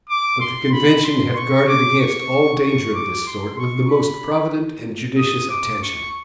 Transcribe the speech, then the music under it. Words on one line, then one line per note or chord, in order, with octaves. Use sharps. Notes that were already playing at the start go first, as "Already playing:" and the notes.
But the convention have guarded against all danger of this sort, with the most provident and judicious attention.
D6
C6
B5
C6
C#6
D6
C#6
C#6
D6
C6
C#6
B5
D#6
D6
C#6